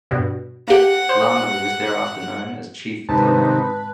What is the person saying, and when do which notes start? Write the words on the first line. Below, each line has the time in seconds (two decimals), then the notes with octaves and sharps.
Glahmo was thereafter known as Chief Clermont.
0.11 G2 B2
0.68 A#3 G4 F#5
1.09 C5
3.09 G#2 C3 D#3 B4 A5